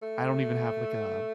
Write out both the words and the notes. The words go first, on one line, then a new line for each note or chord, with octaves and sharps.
I don't even have, like, a
A3